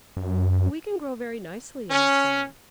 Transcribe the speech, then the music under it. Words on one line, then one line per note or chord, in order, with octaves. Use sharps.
"We can grow very nicely in the shade."
F#2
C#4